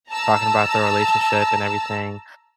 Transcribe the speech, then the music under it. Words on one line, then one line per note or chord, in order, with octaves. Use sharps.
talking about their relationship and everything,
A5 A#5 E6